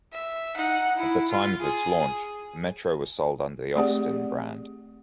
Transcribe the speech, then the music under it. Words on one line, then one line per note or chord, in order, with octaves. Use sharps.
At the time of its launch, the Metro was sold under the Austin brand.
E5
D#4 F#5
E4
F4
G#4
A3 C4 G4 G#4 D5 F#5